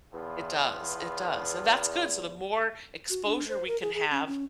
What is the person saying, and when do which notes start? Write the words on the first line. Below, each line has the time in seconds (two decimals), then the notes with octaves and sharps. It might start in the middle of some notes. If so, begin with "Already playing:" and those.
It does, it does, and that's good so the more exposure we can have,
0.13 E2 A2 B3 F4
3.10 F#4
3.25 D4
3.49 C5
3.67 A#4
3.82 G#4
3.94 G#4
4.11 C#4
4.27 C#4